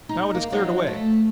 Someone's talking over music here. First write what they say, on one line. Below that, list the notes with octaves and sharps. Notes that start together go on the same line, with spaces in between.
Now it has cleared away!
D#4
A#3
F#3 C4 D#4
A3